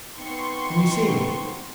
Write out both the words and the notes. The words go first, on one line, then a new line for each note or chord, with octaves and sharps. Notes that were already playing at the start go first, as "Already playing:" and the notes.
"Can you see me?"
B3 C4 D#4 C6 C#6